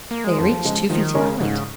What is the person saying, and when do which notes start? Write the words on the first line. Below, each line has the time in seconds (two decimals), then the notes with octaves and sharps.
They are each two feet in height.
0.11 A#3
0.24 G#3
0.38 F2 F3
0.64 C#3 G#3
0.90 D#3 F3
1.15 C#3 G#3 C#4 A#4
1.41 G#2 C#3